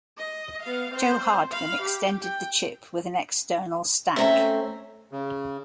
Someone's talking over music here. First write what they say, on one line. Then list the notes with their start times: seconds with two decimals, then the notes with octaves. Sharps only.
Joe Hardman extended the chip with an external stack.
0.17 D#5
0.63 B3 F5
0.93 C4 C5
1.51 F5 B5
1.82 G4
2.21 G5
4.16 A3 C4 C#4 E5 A#5
5.12 C#3